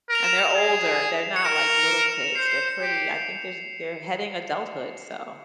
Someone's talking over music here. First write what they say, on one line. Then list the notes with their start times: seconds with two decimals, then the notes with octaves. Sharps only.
And they're older, they're not like little kids, they're pretty. I think there's they're heading adulthood, so.
0.09 A#4
0.15 F7
0.24 E7
0.39 F7
0.55 G#4
1.36 C#7
1.45 A#4 E7
1.56 F7
1.79 F7
1.91 E7
2.01 F7
2.13 F7
2.24 E7
2.35 C5 C7
2.43 C#7
2.52 C7
2.81 G4